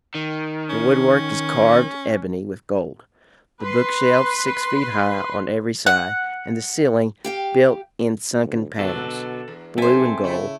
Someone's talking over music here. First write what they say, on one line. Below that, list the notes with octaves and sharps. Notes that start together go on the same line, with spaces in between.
The wood-work is carved ebony with gold, the bookshelves six feet high on every side, and the ceiling built in sunken panels, blue and gold.
D#3
C#4
B4 C6
F#5
G4 F5 G5
D2
B2 D3 F#3 A4
E2
B1 C4 A4 C5 E5 G#5
C#3 A3 E4